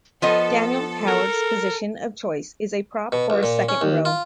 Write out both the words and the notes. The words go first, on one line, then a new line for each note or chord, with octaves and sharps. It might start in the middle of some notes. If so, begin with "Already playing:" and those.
Daniel Howard's position of choice is a prop or a second-row.
F3 B3 A4 D#5
A#4
B2
C#2
A#2
C#4
D#2
F4